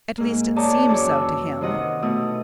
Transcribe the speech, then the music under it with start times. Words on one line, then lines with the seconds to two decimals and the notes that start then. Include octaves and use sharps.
At least, it seemed so to him.
0.18 G#2 A#3
0.56 G#4 C#5 D5 G5 A5 A#5
0.88 F#2 E3 C#4 C#5 A5 D6
1.10 E6
1.61 C3 D#3 D#5 F#5
2.02 B2 A3 E4 D#6